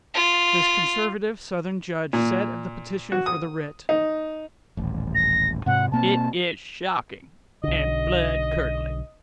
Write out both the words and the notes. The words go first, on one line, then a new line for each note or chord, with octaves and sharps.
This conservative, Southern judge said of the petition for the writ, "It is shocking and blood- curdling."
F4
A#2
F#4
D#6
D#4
D#1 A1
A#6
G#2 C3 F#5
B2 A#3 C4 A5
B1 D3 D#5